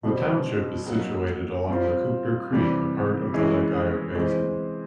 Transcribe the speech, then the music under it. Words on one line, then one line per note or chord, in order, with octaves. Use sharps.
The township is situated along the Cooper Creek, apart of the Lake Eyre Basin.
B2 G3 C4
F#3 A#3 D#4 F#4
G3 C4 F4
C3 E3 G3
E3 G#3 C#4 E4
E3 G#3 C4